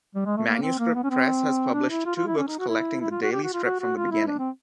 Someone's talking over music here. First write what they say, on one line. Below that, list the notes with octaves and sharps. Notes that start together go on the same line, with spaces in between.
Manuscript Press has published two books collecting the daily strip from the beginning.
G3
G#3
A3
A#3
C4
A#3
B3
C#4
C4
D4
E4
F4
F4
E4
C#4
D#4
F#4
E4
E4
F4
F#4
G4
F#4
F4
F#4
F#4
F4
E4
D4
C4